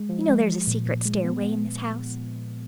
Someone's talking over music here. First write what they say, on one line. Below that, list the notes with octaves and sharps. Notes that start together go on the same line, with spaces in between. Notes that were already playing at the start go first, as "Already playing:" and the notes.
You know there's a secret stairway in this house.
Already playing: G#3
F3
G#3
F3
A#2
A#2
G#3
B3